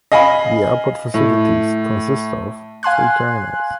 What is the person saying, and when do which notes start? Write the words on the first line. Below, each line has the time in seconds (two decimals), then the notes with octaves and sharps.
The airport facilities consist of three terminals.
0.12 D#5 F5 G#5 B5
1.14 A2
2.83 F5 G#5 C6 F#6